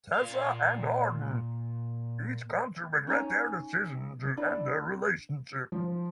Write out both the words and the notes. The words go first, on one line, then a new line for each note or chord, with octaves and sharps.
Tessa and Hardin each come to regret their decision to end their relationship.
A#2 F5
C#4 D#4 C#5 G#5
D4 E4 D5
F3